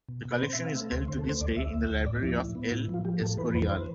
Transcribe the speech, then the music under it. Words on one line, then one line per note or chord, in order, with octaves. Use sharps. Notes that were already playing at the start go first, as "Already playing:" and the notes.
The collection is held to this day in the library of El Escorial.
B2
B2
B4
C4 C5
E5
C4
F5
A3 E5
D2 C5
D3 C5
A4
A3 C5
D2 D5
D2 E5
D2
D2
A2 D5
F3 E4
A2
B3
A2 E4
F3 F4
F3 G4
A2 A4
E3 B4
F2 B4
C5